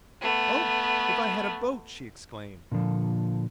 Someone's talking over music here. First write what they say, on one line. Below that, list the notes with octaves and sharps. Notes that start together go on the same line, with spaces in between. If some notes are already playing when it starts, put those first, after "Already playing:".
"Oh, if I had a boat!" she exclaimed.
A3 B3
A#2 D3 F3